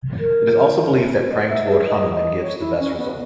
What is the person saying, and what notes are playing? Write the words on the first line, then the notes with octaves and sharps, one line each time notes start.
It is also believed that, praying to Lord Hanuman, gives the best result.
A#4
D#5
E5
G#4
D#5
D#5
C#5
E4
C#4
B3